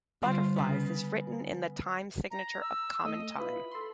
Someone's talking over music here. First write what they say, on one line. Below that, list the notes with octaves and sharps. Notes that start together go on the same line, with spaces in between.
"Butterflies" is written in the time signature of common time.
D3 G3 F4 C5
C#3 B3
A#5
E6
A3 D#5
E4 F4 B4 B5
A4 C6